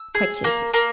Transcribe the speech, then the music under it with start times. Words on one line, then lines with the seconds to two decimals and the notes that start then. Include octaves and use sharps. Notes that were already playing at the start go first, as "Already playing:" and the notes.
"Quite safely."
Already playing: E6
0.15 G#4
0.44 A#3
0.74 A#3